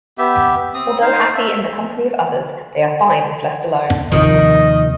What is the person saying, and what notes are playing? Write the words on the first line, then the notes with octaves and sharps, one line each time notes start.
Although happy in the company of others, they are fine if left alone.
B3 G4 E5
C4 D#6
D#4 C5 F5
E5
D#2 C3 D#3 F3 D#5